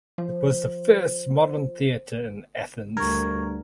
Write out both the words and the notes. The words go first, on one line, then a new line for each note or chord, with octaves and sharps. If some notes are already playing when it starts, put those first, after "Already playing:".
It was the first modern theatre in Athens.
F3 C5
D2 G2 A#4 C#6 G#6